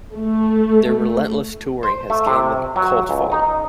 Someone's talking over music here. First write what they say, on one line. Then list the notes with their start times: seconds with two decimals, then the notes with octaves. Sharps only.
Their relentless touring has gained them a cult following.
0.15 A3
1.83 C5
2.10 A3
2.27 C3
2.76 F#3
3.09 C#2
3.32 D#4